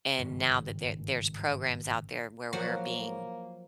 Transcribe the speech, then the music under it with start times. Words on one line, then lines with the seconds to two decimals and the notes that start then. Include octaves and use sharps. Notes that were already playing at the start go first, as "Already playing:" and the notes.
And now that there there's programs out there where we're being
0.18 G#1 G2 C#3
2.53 F3 F#3 A#3 F#4